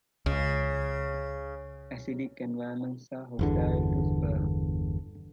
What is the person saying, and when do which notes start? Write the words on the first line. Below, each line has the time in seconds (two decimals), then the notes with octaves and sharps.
Acidic environments are hostile to sperm.
0.26 C#2 C#3
3.39 G1 E2 D3